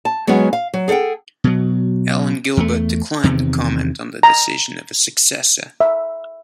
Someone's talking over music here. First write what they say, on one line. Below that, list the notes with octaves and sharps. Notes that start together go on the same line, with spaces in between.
Alan Gilbert declined to comment on the decision of his successor.
A5
F#3 G#3 B3 C#4 F#4
F5
F#3
G#4 A4 C5 F#5 G5
B2 F#3
E2 A3
E2 C3 D#3
A#5
E5